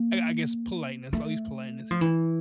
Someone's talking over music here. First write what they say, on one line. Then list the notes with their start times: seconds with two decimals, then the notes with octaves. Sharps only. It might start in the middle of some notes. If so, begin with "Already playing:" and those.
I I guess, politeness- I'll use politeness here-
Already playing: A#3
1.13 A3
1.91 F3
2.01 E3